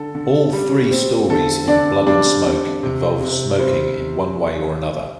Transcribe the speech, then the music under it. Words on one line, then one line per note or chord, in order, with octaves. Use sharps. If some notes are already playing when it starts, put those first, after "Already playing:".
All three stories in "Blood and Smoke" involve smoking in one way or another.
Already playing: D3 A4
D3
G3
C4
D3 A4
D3 D4 D5
G3 D4 D5
C4
C3
C3
G3 C4 C5